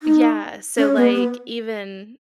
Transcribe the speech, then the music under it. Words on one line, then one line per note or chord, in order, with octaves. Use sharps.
Yeah, so, like, even
D#4
C#4
B3
B3